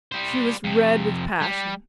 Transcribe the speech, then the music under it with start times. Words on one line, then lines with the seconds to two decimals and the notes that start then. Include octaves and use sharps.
She was red with passion.
0.12 G3 C5
0.64 F2 C3
1.41 G3